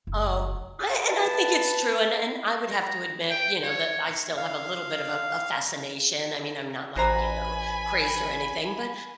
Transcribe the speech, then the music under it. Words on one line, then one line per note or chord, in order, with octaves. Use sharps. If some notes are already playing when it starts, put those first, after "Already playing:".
Oh, I and I think it's true, and and I would have to admit, you know, that I still have a little bit of a a fascination, I mean, I'm not, like, you know, crazed or anything, but
F#1
B4 A5
A#5
G5
C#5
F5
A1 F#4 C5 G#5 A#5 B5